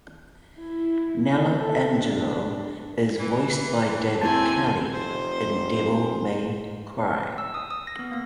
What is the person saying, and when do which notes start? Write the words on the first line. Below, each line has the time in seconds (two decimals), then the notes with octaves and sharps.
Nelo Angelo is voiced by David Kelley in "Devil May Cry".
0.58 E4
1.57 A4
1.96 D4
3.19 E3
4.21 D#2 C4 E4 G#5 A5 G6
4.92 F1 C5
7.38 E6
7.54 D#6
7.71 D#6
7.87 A#6
7.99 B3
8.12 A#3